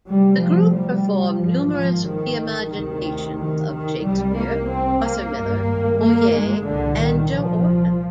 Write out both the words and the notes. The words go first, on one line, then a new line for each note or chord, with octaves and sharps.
The group performed numerous "re-imaginations" of Shakespeare, Arthur Miller, Moliere and Joe Orten.
D2 C3 G3
F3
G3
G#1 G#2 F3
F3
D#3
D2 C3 D#3
D#3
D#3
C2 C3 G3
A#3
C4
A#3
G#1 G2
A#3
G#3
C2 A#2 D3
D#3
F3